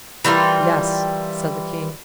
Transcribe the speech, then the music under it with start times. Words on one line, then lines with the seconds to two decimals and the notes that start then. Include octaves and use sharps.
"Yes," said the King.
0.25 E3 G3 F4 A#4